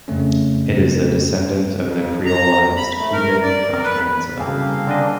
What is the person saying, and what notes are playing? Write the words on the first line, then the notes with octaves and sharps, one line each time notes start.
It is a descendent of the creollized Cuban contradanza.
F2 C#3 A3 C#4
F2
A#5
B5
A3
A#4
D5
A#4
B4
C2 C#3 A#3 C4 G#4 A4 F5
D3 D4 D#5